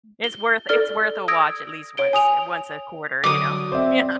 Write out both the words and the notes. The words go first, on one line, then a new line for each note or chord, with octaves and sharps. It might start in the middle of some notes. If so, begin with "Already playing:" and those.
It's worth it's worth a watch at least once, eh, once a quarter, you know? Yeah.
G7
A4 D5 F6 G7
D#6 E6 G#6 A#6 D7
C#5 D7 G7
G#5 D#6 F7
D3 F#3 D6 D#6
C4 C5 D5 E5